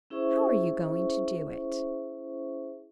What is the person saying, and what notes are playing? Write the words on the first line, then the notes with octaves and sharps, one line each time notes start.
"How are you going to do it?"
C#4 E4 G#4 C5 E5 C#6